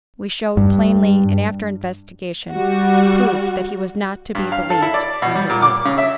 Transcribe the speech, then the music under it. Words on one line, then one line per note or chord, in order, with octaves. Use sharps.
We showed plainly, and after investigation proved, that he was not to be believed on his oath.
G2
G3 F#4
G2
F5
A4
E4
D5
B2
G3
A#2
D6
C#3
E5